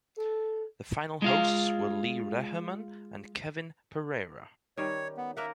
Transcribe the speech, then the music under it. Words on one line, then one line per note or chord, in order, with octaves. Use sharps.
The final hosts were Lee Reherman and Kevin Pereira.
A4
G#3 F4 F5
D#3 G3 C#4 C#5
B3
A#3 A#4 E5 F#5